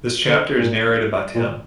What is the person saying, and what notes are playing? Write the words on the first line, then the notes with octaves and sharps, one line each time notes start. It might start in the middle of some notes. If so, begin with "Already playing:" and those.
This chapter is narrated by Tim.
D3
A#2
A#2